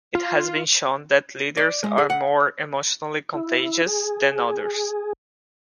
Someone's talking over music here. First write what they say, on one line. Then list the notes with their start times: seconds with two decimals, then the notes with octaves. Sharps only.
It has been shown that leaders are more emotionally "contagious" than others.
0.15 F4
1.57 D5
1.84 G#3
1.98 G#4
2.10 F#5
3.34 E4
3.86 G#4